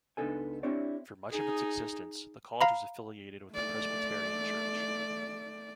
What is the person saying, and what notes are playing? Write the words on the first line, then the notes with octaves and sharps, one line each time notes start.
For much of its existence, the college was affiliated with the Presbyterian Church.
C#2 B3 D4 D#4 A4 G#5
C4 D4 E4 G4 C#5 D5
D#4 G#4
F5 A#5 B5
A3 D5